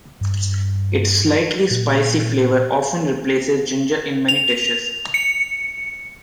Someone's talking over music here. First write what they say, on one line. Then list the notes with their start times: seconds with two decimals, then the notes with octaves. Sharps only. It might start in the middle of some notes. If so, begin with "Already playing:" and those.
It’s slightly spicy flavor often replaces ginger in many dishes.
0.21 G2
1.71 A#2
4.28 F7
5.14 C#7